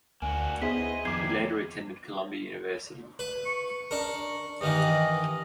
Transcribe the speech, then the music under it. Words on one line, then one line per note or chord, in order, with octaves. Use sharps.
He later attended Columbia University.
D2 A#3 D4 F#4 G#5
B3 E4 G#4 C5 D#5 B6
F2 D#3 A#3 D4 D6 G#6 C7
B4
C#6
D4 A#4
G2 D#3 E3 D#5